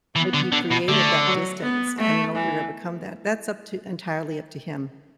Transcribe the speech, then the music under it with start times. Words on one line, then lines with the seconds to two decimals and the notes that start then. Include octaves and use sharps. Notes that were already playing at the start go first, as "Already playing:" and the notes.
But you created that distance and in over to become that that's up to entirely up to him.
0.16 E3 B3
0.34 D3
0.52 D3
0.71 B2
0.88 D3 A3
1.26 F#3
1.62 B3
1.99 A3
2.35 E3